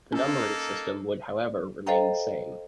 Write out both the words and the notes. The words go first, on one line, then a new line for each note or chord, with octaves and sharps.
The numbering system would however remain the same.
A#3 C#4 D#4 A4
A4 C5 D#5 F5 G5 A#5